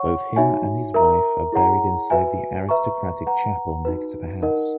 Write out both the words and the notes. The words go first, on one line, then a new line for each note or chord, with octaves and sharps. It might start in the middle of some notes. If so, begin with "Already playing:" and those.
Both him and his wife are buried inside the aristocratic chapel next to the house.
Already playing: C#5 F#5 C#6
D#4 F#4 C#5 E5 G#5
A#4 E5 A#5
E4 G#4 C#5 F#5 A#5
F#4 B4 E5 G#5
B4 E5 A#5 C#6
B4 F#5 A#5
D#4 F#4 B4
D#4 A#4 D#5 F#5